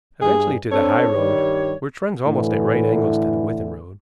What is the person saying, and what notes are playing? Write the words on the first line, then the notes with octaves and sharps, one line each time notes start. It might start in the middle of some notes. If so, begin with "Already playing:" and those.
"Eventually to the high road, which runs almost at right angles to the Withan road."
G2 G#4
C4 D4 A4 C#5
G2 D#3 G3
A2 D3 E3